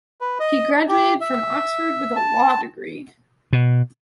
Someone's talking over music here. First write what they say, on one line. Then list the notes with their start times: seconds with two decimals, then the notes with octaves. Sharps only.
He graduated from Oxford with a law degree.
0.21 B4
0.40 D#5
0.89 G4
1.21 E5
2.16 A5
3.53 B2